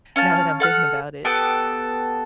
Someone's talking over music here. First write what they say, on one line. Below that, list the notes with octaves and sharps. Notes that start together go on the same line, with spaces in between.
Now that I'm thinking about it.
C#4 F5 A5
A4 F#5 F6
B3 G4 A4 F#6